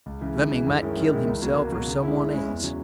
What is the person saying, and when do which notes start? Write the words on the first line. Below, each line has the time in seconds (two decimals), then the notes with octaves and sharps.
Fleming might kill himself or some one else.
0.06 C#2
0.21 C#3 E3
0.37 C#2
0.51 C#3 E3
0.66 F#2
0.82 D#3 G#3 C#4 E4
0.97 F#2
1.11 D#3 G#3 C#4 E4
1.27 C#2
1.42 B2 F#3 A#3
1.57 C#2
1.72 B2 F#3 A#3
1.88 C#3
2.03 G#3 C#4 E4
2.18 C#3
2.33 G#3 C#4 E4
2.48 E2
2.63 C#3 F#3